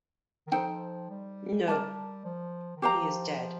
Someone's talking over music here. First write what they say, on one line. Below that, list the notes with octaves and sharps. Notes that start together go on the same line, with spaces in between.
No; he is dead.
D#3
F3 D#4 A4 C5 G5
G3
G3 A#4 D5 A5
F3
D#3
F3 G4 C5 F5 A#5